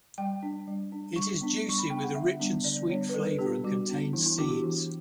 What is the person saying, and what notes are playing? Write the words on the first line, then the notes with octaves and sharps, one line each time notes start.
It is juicy with a rich and sweet flavour and contains seeds.
G3 G5
D4
G3
D4
G3 C#6
B3 D4
G3 C#6
B5
B3 D4 G5
F#5
D3 E5
G3 B3 D4
D3 D5
G3 B3 D4 C#5
B4
G3 A4
B3 D4 G4
G3 F#4
B3 D4
E3 E4
E4
B3 D4 F#4
G4
E3